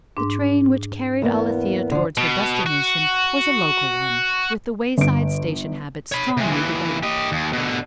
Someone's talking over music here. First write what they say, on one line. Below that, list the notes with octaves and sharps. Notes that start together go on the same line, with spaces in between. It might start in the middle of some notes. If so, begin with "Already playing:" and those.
The train which carried Alethia towards her destination was a local one, with the wayside station habit strongly developed.
G#2 D4
E2 A#3 B3
D3 F3
B2
F#4
G1 D7
C#5 B5
C3 G#3
D#2 E3
G4 D#5
D#2
B2 D3